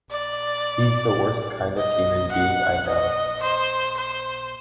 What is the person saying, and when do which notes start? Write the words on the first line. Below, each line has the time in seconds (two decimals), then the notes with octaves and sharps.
He's the worst kind of human being I know.
0.11 D5
1.77 D#5
2.32 F#5
2.87 D#5
3.43 C5
3.98 C5